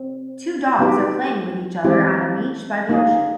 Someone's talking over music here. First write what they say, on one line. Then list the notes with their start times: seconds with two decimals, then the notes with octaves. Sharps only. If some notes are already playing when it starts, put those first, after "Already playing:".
Two dogs are playing with each other on a beach by the ocean.
Already playing: C4
0.79 F#3 B3 D#4 G4
1.85 E3 G#3 C4 E4 G4
2.89 A#3 D#4 G#4